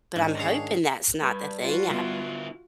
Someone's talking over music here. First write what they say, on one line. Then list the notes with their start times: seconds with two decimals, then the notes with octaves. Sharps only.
but I'm hoping that's not the thing, I
0.16 G#2 D#3 C#4 D4
0.39 G#4 C#5 F5
1.22 G2 B4
1.62 F4 F#4 D5
1.91 D3 G3 B3 E4 C6